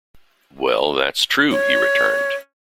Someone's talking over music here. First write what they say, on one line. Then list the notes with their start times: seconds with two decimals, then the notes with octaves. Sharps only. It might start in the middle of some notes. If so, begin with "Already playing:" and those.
"Well, that's true," he returned.
1.51 C#5